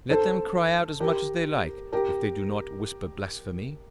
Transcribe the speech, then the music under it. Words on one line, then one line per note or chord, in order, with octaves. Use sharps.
"Let them cry out as much as they like if they do not whisper blasphemy."
A4 C5
G4 A#4
G4 A#4